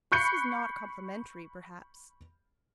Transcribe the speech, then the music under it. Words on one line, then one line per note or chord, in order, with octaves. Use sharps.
This was not complimentary, perhaps.
B5 C#6 F#6 G6 C7 C#7